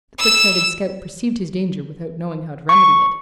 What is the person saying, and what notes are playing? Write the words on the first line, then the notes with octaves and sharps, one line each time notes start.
The quick-sighted scout perceived his danger without knowing how to remedy it.
E6 E7
C#6